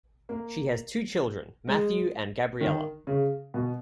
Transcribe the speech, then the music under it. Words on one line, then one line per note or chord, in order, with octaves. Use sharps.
She has two children, Matthew and Gabriella.
A#3
G#3
D#3
C#3
B2